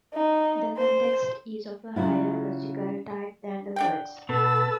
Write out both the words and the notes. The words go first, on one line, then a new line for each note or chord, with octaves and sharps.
The context is of a higher logical type than the words.
D#4
C5
C#3 F#3 E4 F4
D4 F#5 G5
B2 A4 B4 A5 E6